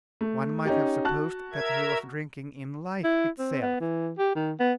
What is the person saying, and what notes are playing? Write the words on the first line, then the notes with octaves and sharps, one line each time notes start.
One might have supposed that he was drinking in life itself.
A3
C#4 D#4 G4
F#4 A5 F#6
A#4 E5 G#6
E4
C4
B3
E3
G4
D#3
B3